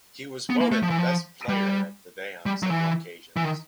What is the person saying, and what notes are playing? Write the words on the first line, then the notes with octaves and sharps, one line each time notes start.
He was voted best player of the day on several occasions.
B3
A#3
A3
F3
E3
F3
G3
G3
F#3
E3
E3
D#3